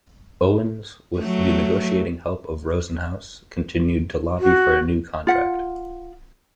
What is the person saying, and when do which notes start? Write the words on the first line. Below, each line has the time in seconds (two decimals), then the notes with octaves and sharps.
Owens, with the negotiating help of Rosenhaus, continued to lobby for a new contract.
1.19 F#3 A3
4.40 F#4
5.27 F4 F#5